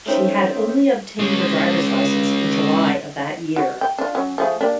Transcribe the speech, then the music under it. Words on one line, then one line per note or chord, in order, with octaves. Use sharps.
She had only obtained her driver's license in July of that year.
A3 C#4 D#4 C5 G5
C#3 G#3
F#4
G5
D4 F4
F#3 C#4
F3 A3 G#4
A#3 D4 G4